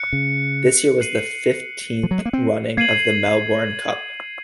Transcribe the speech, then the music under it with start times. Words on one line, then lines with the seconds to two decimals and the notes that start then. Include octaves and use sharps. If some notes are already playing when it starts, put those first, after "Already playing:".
This year was the fifteenth running of the Melbourne Cup.
Already playing: F#6 C#7
0.13 C#3
1.01 F#6 C7 D#7 F#7
2.03 F3
2.11 F#3
2.18 G#3
2.25 A#3
2.33 C4
2.77 A#3 G#6 C7 D#7 F#7